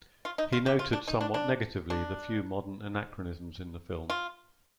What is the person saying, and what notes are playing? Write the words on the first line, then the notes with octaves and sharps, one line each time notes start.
He noted somewhat negatively the few modern anachronisms in the film.
F4
D#4
F4
G4
F4
D4
D#4
D4
D4
D4
F4